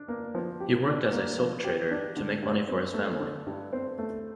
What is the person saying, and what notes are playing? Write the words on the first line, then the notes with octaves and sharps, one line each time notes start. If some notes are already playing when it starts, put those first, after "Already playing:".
He worked as a silk trader to make money for his family.
Already playing: D4
A#3
F3
G4
D4
A#3
F3
G4
D4
D3
G2
C4
A3
D3
G2
C4
A3